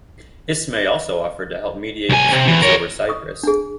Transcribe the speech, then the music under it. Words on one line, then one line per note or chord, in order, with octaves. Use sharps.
Ismay also offered to help mediate disputes over Cyprus.
C2 G#5
C3
E2 E3
A#4 C#5
C#6 D#6
D4 G#4